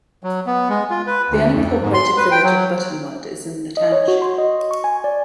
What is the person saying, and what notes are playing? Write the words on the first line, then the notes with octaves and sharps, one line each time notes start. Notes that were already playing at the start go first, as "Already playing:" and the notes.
The unincorporated village of Buttonwood is in the township.
F#3
B3
G#3
F4
B4
D2
F2
G#2
C6
B4
G5
F#3
D#5
C#5
F#4
C6
D#5
C#6
G#5
D5